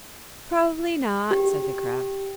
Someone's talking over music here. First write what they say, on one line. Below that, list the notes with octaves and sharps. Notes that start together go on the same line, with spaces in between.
"Probably not," said the crab.
G4